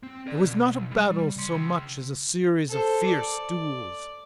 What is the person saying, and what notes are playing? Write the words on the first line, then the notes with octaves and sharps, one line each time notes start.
It was not a battle so much as a series of fierce duels.
C4
A#4 D5
B1
G3
C#3 C6
A4 C5
D5